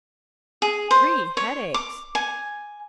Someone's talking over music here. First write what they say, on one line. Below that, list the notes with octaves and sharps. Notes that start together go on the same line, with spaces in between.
"Three headaches!"
G#4
C5
C#5
D6
G#5